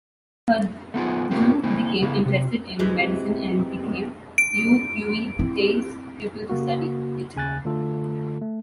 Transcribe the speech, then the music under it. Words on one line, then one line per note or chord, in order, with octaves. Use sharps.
Hur Jun became interested in medicine and became Yoo Ui-tae's pupil to study it.
A3 B3 F4 G#4
C4 F4 G4 A#4
A#3 C4 E4
C#3 B3 E4
C3
C3 E3 G#3
D7
C4 E4
C#3 A#3 F#4
D#2 C#3 G#5 F#6 A6
D3 A3 F4 A4
A3